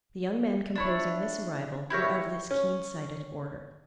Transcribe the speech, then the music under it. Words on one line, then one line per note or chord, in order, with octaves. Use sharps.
The young men composing this arrival were of this keen-sighted order.
D4 E4 C#5
E4 G4 A#4 C#5
C#4